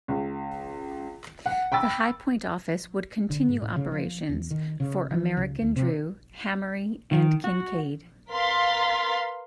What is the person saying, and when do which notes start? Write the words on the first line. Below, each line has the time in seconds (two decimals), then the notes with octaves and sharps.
The High Point office would continue operations for American Drew, Hammary, and Kincaid.
0.08 C#2
1.46 F#5
1.72 G5 B5 E6 A6
3.30 D3
3.48 G#2
3.62 A2
3.76 C#3
3.92 F3
4.29 E2
4.51 D#3
4.80 C#3
5.11 E3
5.37 C#2
5.62 D#2
5.76 C3
7.11 D#3
7.44 F#4
8.33 A#4 B4 F5 C6 A6 B6